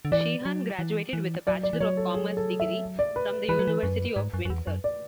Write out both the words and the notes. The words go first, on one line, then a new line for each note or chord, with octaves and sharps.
Sheehan graduated with a Bachelor of Commerce degree from the University of Windsor.
D3
E3 D5
F#3
E3
E3
F#3 D5
D5
E3
F#3 C#5
A4
G#4
A4
E5
D5
B4
E3 B4
F#3
E3
F#2
G#2
F#2
F#2
E2
F#2
D5